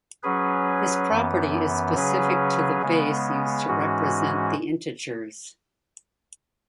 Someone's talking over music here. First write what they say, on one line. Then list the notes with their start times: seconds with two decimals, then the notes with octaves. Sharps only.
This property is specific to the base used to represent the integers.
0.23 F#3 C#4 G#4 B4
1.09 F#2 E3 B3
1.95 C#3 F#3 C#4 G#4 B4
2.82 C#3 G#3 B3
3.68 G#2 E3 G#3 C#4 F#4